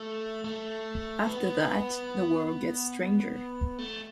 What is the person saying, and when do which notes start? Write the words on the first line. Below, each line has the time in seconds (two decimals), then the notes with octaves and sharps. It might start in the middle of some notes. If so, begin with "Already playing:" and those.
After that, the world gets stranger.
Already playing: A3
0.44 A3
1.27 B3
3.79 A3